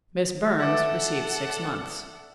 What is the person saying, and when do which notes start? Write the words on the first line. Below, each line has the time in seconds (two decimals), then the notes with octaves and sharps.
Miss Burns received six months.
0.59 A4 D5 E5 F#5 A5